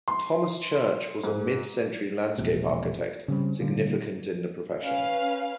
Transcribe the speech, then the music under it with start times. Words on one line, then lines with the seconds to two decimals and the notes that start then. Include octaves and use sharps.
Thomas Church was a mid-century landscape architect significant in the profession.
0.08 C6
1.24 G#2
2.38 E1 A#1 C3
3.28 C#3 G3 C4
3.60 A#2 D3 G3 A#3
4.82 C#4 B4 F5